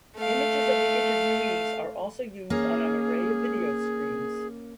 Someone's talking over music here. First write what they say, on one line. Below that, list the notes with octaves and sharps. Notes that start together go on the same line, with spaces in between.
Images of the interviewees are also used on an array of video screens.
A3 F5
A#3 C#4 G#4